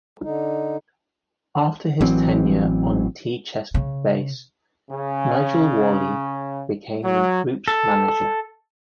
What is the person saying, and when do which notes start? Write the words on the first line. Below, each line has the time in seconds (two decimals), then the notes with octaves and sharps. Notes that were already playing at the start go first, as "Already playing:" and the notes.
After his tenure on tea-chest bass, Nigel Walley became the group's manager.
0.24 D3 D#4
2.01 A1 E3 F#3 C4
3.74 C#3
4.91 C#3
7.04 F#3
7.68 A4